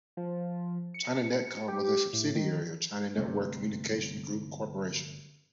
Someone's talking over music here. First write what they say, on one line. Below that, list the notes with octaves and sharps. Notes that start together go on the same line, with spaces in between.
China Netcom was a subsidiary of China Network Communications Group Corporation.
F3
C#7
G4
A2
D#3
G1 C3 A3